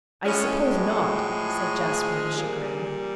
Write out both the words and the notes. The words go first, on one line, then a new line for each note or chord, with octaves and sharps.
"I suppose not," said Jasper in chagrin.
A2 F3 G#3 C#4
F#4
G#4
A#2 G3